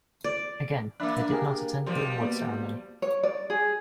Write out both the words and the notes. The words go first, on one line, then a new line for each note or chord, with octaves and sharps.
Again, they did not attend the award ceremony.
D5
A#3 D4 E5 B5 F#6
G4 G#4 A#4
B2 F3 G3
A#3 B3 D5
C#5
D5
G#4